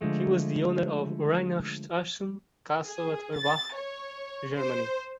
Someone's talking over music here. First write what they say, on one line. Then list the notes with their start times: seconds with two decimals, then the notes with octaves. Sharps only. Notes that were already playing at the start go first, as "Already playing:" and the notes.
He was the owner of Reinhartshausen Castle at Erbach, Germany.
0.01 D3 F3 G#3 A3
2.84 G#4
3.36 A6
3.76 C#5
4.55 C5